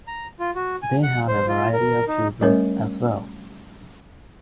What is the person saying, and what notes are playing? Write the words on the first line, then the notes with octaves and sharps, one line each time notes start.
They have a variety of uses, as well.
A#5
F4
F#4
G#5
F#5
C5
F4
A#4
D#4
G3 A3 C#4 A#4 C#5